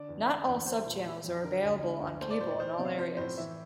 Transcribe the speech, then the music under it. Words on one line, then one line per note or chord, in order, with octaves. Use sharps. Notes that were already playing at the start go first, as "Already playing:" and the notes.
Not all subchannels are available on cable in all areas.
Already playing: D3 D5
E2
D3
E2
A3 C5
A#2
E3
F2
D3 A#4
D2
D3
D2
A3 C5
D5
A#2 C5
D5
E3 C5
D5
C3
F5
F3 C5
A2 C5
E3 E5